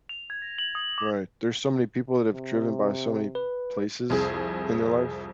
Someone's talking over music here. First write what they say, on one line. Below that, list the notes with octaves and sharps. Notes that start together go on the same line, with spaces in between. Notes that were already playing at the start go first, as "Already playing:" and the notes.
Right, there's so many people that have driven by so many places in their life,
F7
G#6
A#6
F#7
D#6
D6
C3
B4
C2 F2 G#4